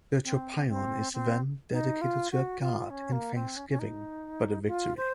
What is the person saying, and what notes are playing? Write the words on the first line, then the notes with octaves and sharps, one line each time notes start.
The "tropaion" is then dedicated to a god in thanksgiving for the victory.
C4
C4
C4
D#4
F4
F#4
F4
C#4
A#3
C4
C#4
C#4
D#4
F4
C5